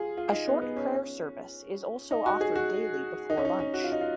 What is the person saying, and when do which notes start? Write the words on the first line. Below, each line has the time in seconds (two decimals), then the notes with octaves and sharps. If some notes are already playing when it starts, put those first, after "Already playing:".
A short prayer service is also offered daily before lunch.
Already playing: F4 G#4
0.17 F4
0.32 D#4
0.48 B3
0.62 B3
0.76 C#4
2.11 D#4
2.26 F#4
2.41 G#4
2.55 F#4
3.30 D#4
3.37 C#4
3.45 D#4
3.59 C#4
3.74 F#4
3.84 F4
3.92 D#4
4.01 F4